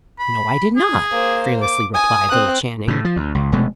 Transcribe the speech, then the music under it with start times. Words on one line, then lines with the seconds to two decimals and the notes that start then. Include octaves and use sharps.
"No, I did not!" fearlessly replied little Channing.
0.19 B5
0.77 G#4
1.11 A#3 C5
1.62 D6
1.94 G#5 D#6
2.31 C4 F#6
2.88 A2 C#3
3.05 F3
3.16 D2
3.35 C#2
3.52 F1 B2 G#3 A3